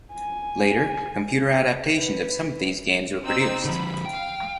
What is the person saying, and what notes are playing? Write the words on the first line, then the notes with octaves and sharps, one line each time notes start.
Later, computer adaptations of some of these games were produced.
G#5
B4
C4 D#4 E6
D3 F3 B5
F5 G5